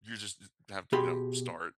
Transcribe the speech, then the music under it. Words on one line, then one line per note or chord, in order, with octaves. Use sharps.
You just st have to, you know, start
B2 G4 G#4 B5 C6